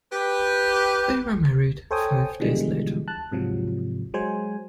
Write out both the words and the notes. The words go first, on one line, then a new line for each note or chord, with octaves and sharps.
They were married five days later.
G4 B4
A4 C5 C#5 G5 G#5 D#6
B2 D3 E3 F3 G3 G#3
A5 F#6
G#2 C3 F3 F#3
F#3 G#3 C5 G#5